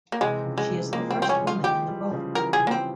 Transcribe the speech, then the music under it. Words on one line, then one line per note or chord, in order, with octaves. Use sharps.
She is the first woman in the role.
A#3
C3 E3 G#3
C#3 F3
F3 G#3
E3 G3
F3 G#3 A#3
C4
E3 G3
C4
C#4
C#3 F3
F4
F3 G#3 G4
E3 G3
C#3 F3
E3 G3 A#4
G#4
C#3 F3
A#3
C4